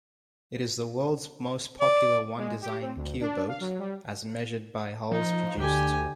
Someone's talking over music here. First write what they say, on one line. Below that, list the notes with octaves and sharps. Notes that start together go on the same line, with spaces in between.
It is the world's most popular One-Design keelboat as measured by hulls produced.
D5
G#3
G4
C4
D2
D4
F5
F#3
G3
F3 D#4
D2 D3 G4 G#5